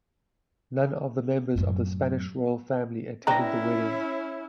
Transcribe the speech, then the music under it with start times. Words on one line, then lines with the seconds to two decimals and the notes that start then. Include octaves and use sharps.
None of the members of the Spanish royal family attended the wedding.
1.55 F#2 A2
3.27 C#4 D4 E4 B4 G5 A#5 A#6